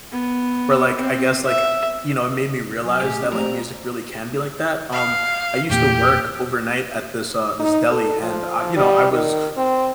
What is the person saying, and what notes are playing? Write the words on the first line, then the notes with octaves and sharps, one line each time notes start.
where, like, I guess, like, uh, you know, it made me realize that, like, music really can be like that. Um, I used to work overnight at this, uh, this deli, and I you know, I was
B3
C4
E5
F#3 G#5
A#2 A3 G4 G#4
C#4
A3 A#3 C4 G4 D5 A#5
F5
E1 A#2 A#3 G4
D#4
A4
F3
G3
D#3
C4